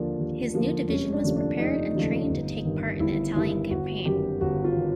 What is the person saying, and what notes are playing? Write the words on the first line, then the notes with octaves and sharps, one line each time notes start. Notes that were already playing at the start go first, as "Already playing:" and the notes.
His new division was prepared and trained to take part in the Italian Campaign.
Already playing: D#2 D3 F3 A#3 D4
D#2
D3 F3 A#3
F1 C#4
D4
D#2 C#3 F3 A3
D4
F1 D#4
D#2 C#3 F3 A3
G1
G2 D#3
G1 E4
G2 D#3 E4
G1 F#4
F#2 D#3 G4
G1 F#4
F4
D#3